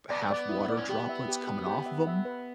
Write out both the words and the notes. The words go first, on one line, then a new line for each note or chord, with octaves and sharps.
have water droplets coming off of 'em.
B3 D5
A3
B3 D5
E4
D5
C#4
B3 G4
E5
G4
G4
G4
E5
E5
B4